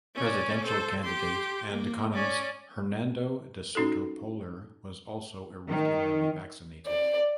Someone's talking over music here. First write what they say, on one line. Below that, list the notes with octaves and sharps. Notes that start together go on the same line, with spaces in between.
Presidential candidate and economist Hernando de Soto Polar was also irregularly vaccinated.
C#4 D5
A4 C5
G4 C6
A#3
C#4 D5
C#4 D#4 F#4 A4
D#3
D5